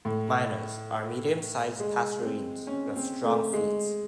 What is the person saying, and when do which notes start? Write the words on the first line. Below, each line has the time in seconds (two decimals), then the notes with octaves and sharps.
Mynas are medium-sized passerines with strong feet.
0.05 A2
1.80 G#3
2.23 C4
2.67 C#4
2.96 C4
3.24 A3
3.53 G#3